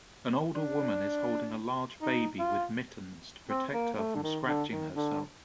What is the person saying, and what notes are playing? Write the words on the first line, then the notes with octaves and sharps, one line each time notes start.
An older woman is holding a large baby with mittens to protect her from scratching herself.
D4
D#4
F4
C4
A#3
A3
D3
D#3
D3
D#3
D3